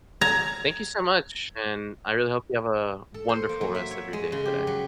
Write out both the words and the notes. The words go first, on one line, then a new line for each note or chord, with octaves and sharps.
thank you so much, and I really hope you have a wonderful rest of your day today.
A#5 G#6
A4
C5
A#3
F#3
E5
C#5
G#3
C#3
G4
F#3